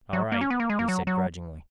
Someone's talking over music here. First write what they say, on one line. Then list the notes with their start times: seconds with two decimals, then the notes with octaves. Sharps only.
"All right," he said grudgingly.
0.13 F#3
0.32 A#3
0.41 C#4
0.50 B3
0.60 A#3
0.70 G#3
0.79 A#3
0.88 F#3
1.07 F#3